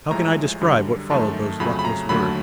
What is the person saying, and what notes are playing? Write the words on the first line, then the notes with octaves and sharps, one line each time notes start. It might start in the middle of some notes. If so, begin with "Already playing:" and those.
How can I describe what followed those luckless words?
A1 A2 F3 G#3 A#5
F#2 D3 G3
F#2 D#3 F#3 A3 A5
F2 C#3 F#3 A3 B5
B5
A#5
D#2 D3 F#3 A3 B5